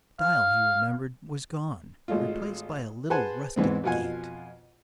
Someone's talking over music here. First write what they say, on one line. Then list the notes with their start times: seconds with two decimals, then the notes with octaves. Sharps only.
The stile he remembered was gone, replaced by a little rustic gate.
0.20 F5
2.08 G#1 G#3 A3 F4
3.10 G#4 B4 C5 F#5 G#5 A5
3.56 E2 G#2 E3 C4
3.84 F2 B2 F4 F#5 G#5